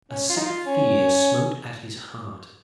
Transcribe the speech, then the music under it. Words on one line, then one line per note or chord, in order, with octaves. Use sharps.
A sick fear smote at his heart.
C#4
F4
D#4
F4
C#4